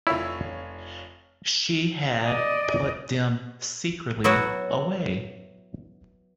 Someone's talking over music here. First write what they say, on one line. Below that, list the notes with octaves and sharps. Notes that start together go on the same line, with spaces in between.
She had put them secretly away.
F1 E4 F4 C#5
D5 D#5
F#3 B3 E4 F#4